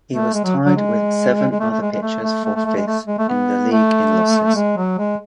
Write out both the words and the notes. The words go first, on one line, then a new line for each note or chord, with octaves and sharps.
He was tied with seven other pitchers for fifth in the league in losses.
A3
G#3
F#3
F#3
G#3
G#3
A3
A3
G#3
G#3
A3
A3
A3
A3
A3
G#3
A3
G#3
A3
B3
A3
G#3
F#3
G#3